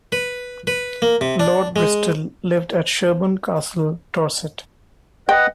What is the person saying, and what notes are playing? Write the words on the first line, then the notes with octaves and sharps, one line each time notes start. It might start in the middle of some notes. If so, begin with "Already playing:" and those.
Lord Bristol lived at Sherborne Castle, Dorset.
B4
B4
A#3
C3
D4
G#3
B4 D#5 F#5 G5